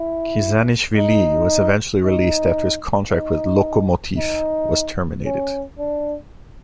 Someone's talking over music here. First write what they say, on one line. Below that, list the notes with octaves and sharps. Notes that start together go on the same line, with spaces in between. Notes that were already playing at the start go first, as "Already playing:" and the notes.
Khizanishvili was eventually released after his contract with Lokomotiv was terminated.
Already playing: E4
D#4
D#4
D#4
D#4
C#4
D4